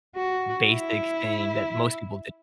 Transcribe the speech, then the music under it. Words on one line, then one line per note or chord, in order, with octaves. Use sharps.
basic thing that most people do
F#4
E4